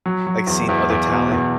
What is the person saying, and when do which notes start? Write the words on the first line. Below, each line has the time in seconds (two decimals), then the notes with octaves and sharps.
like, seeing other talent,
0.06 F#3
0.27 F#3
0.47 E2
0.69 E2
0.90 E2
1.10 B2
1.32 E2